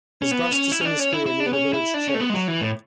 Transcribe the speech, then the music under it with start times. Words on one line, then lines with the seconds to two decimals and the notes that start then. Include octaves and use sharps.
His bust is in the square near the village church.
0.22 C#4
0.31 B3
0.52 C#4
0.72 E4
0.81 C#4
0.85 D4
0.99 C#4
1.13 E4
1.26 E4
1.40 D4
1.46 B3
1.53 C#4
1.73 E4
1.94 D4
2.07 C#4
2.15 A3
2.20 B3
2.30 G#3
2.34 F#3
2.48 E3
2.61 A2